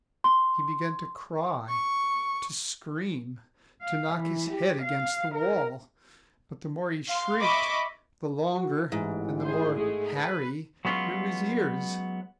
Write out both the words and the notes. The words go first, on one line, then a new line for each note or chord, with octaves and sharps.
He began to cry, to scream, to knock his head against the wall, but the more he shrieked, the longer and the more hairy grew his ears.
C6
C#6
F5
E3
G4
F5
A#4
F5 C6
D#5 E5 B5 C#6 D6
F#4
A1 G#2 E3
G#4 C5
G#3 A3 G#4
B4
F#3 G#3 B3 C#4 F4